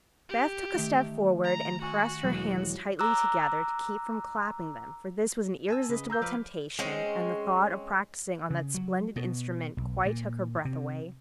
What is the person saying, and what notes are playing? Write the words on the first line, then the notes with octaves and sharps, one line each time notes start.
Beth took a step forward, and pressed her hands tightly together to keep from clapping them, for this was an irresistible temptation, and the thought of practicing on that splendid instrument quite took her breath away.
G4
D#3 A3
A#5
F#4 G#5 C#6
E1 F#3 G#3
A#5 D6 E6 F#6
G#5 A5 E6
C#3 B4 D#5
G#4 A#5 E6 G6
F3 B4 D5 F5
G#3 C4 C#4
C#3
F#3
B2
B1
A#2
C3